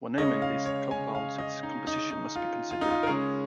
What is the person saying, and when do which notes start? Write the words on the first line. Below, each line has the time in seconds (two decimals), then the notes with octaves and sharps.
When naming these compounds, its composition must be considered.
0.18 C#3 G#3 C#4 D#5
0.42 F5
0.66 C#5
0.91 G#5
1.15 F5
1.38 D#5
1.63 D#4
1.87 D#4
2.11 D#4
2.36 F4
2.71 F4
2.81 D#4
2.90 F4
3.03 A#4
3.07 C#3 G#3 C#4 G#4